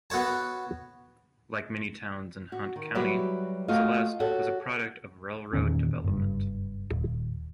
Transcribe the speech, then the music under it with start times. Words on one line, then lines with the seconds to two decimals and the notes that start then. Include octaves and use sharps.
Like many towns in Hunt County, Celeste was a product of railroad development.
0.10 B3 F#4 A4 C#5 A5
2.52 F#4
2.76 D#3
2.95 F#3 G3 E4 F#4 G4 B4
3.68 A3 F4 F#4 D#5 F5
4.20 F#4 G4 A4 C#5
5.53 E2 A#2 D#3 C#4
6.04 F#1 G2
6.92 D#1